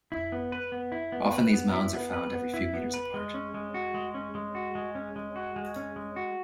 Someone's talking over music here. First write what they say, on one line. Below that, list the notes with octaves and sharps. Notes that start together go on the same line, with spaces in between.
Often these mounds are found every few metres apart.
E4
B3
B4
B3
E4
B3
B4
B3
E4
B3
B4
B3
E4
B3
B4
G#3
C#4
G#3
F#4
G#3
C#4
G#3
F#4
G#3
C#4
G#3
F#4
G#3
C#4
G#3
F#4